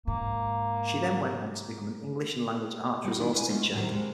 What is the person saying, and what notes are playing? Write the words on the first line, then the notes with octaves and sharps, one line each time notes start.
She then went on to become an English and Language Arts resource teacher.
G#2 A#3
G3 A#3 C#4 F#4
D#3 D4 E4 F#4
E4 B4 F5 G#5
G#3 A3 B3 C#4 D4 F4
A2 C3 D#3 F#3 G3
C3 G3 G#3